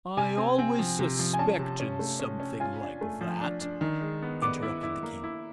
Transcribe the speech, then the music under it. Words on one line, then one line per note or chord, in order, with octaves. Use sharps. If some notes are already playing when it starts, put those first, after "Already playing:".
"I always suspected something like that," interrupted the king.
C3 G#5
C4
C4
F3
C3
F3
G#5
C#4 A5
C3
C#4
A3
C#4
C#4
F4 G#5
D4
A3
F3
D4
D4
D#3
G#3
B3
B3 D6
E4
E4
A#3
E4